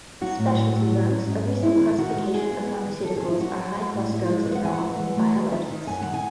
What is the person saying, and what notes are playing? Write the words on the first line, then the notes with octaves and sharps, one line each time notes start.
Specialty drugs, a recent classification of pharmaceuticals, are high-cost drugs that are often biologics.
F#3 F#4
A2
F#3
A2
F#3
C#4
G#2
C#4
G#3 E4
D#3
D#3 F#4
G#3
G#3 G#4
B3
B3
D#3
D#3 A4
G#4
D#3
E4
F#3 F#4
F#3
G#3
A2
E4
G#3
D#2 B4
F#5
E3 G#5
F#5
E3
E3
A3
D#3
D#4 E5
D#3
F#2 G#5
D#3 F#5
G#5